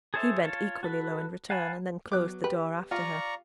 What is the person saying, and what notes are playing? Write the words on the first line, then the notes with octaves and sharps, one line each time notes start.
He bent equally low in return, and then closed the door after her.
G#4 A4 C5 C#5 E5
F4 C#5 A5
F#4 A4 B4
F5 F#5 G#5 A5 B5
F#3 B3 D6 F#6
G4 B4
F4 D5 A#5 C#6